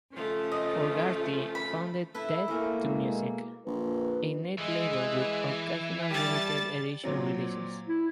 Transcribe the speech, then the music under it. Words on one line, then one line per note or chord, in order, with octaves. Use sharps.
Fogarty founded 'Death To Music', a Netlabel with occasional limited edition releases.
C#3 F3 A3
D#5
B5
E4 A4 B4 E5
A3 A#3 E4 G#4 A#4
B2 G#3
A#1 B4
E3 G#3
G3 A5 A6
A#2 F#3 C4
E4